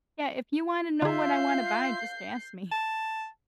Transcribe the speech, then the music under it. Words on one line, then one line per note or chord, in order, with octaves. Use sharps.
Yeah, if you wanna know what I wanna buy, just ask me.
D3 F4 G#4 E5 F5 G6 C7
A5